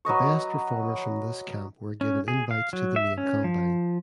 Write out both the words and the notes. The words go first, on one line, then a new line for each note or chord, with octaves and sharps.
The best performers from this camp were given invites to the main combine.
F#3 B4 D#5 C#6
C#4
G#4
F5
F#3
E5
C#4
F3